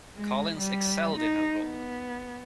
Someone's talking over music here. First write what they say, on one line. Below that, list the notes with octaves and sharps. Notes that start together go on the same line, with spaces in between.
Collins excelled in her role.
G#3
G3
D#4
B3